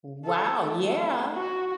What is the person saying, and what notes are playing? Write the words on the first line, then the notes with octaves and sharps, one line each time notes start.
Wow, yeah!
A4
A3
F#4